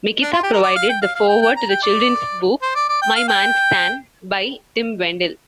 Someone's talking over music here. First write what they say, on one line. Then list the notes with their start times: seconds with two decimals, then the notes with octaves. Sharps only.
Mikita provided the foreword to the children's book "My Man Stan" by Tim Wendel.
0.22 D4
0.33 F4
0.43 G4
0.53 A#4
0.63 D5
0.76 F5
0.89 G5
1.02 F5
1.15 F5
1.29 G5
1.42 G5
1.56 A#5
1.70 G5
1.83 D5
2.62 C5
2.75 D5
2.89 D5
3.02 G5
3.16 F5
3.28 G5